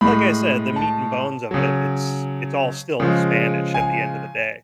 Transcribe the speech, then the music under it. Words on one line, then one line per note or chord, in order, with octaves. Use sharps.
like I said, the meat and bones of it it's it's all still Spanish at the end of the day.
A2 G#3 B5
A5
C#3 F#3
C#3 F3 G#3
G#5